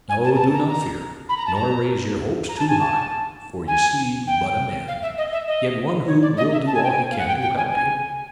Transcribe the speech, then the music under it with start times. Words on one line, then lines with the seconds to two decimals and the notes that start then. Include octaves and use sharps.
No, do not fear--nor raise your hopes too high; for you see but a man, yet one who will do all he can to help you.
0.09 G#5
0.24 A5
0.35 A#5
0.38 A5
0.53 A#5
0.68 A#5
1.29 B5
1.37 A#5
1.45 A5
1.54 A#5
2.48 A#5
2.58 A5
2.68 G#5
2.78 A5
3.67 G#5
4.27 G5
4.87 F5
5.02 E5
5.17 D#5
5.32 E5
5.47 D#5
6.07 C#5
6.22 D5
6.37 D#5
6.52 E5
6.66 A5
6.74 G#5
6.83 G5
6.90 G#5
7.10 F5
7.18 F#5
7.27 G5
7.41 G5
7.56 G#5
7.71 G#5